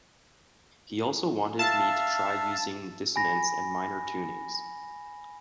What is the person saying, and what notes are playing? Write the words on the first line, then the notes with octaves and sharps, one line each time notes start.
He also wanted me to try using dissonance and minor tunings.
E5 F5 A5
G#5 B5 A#6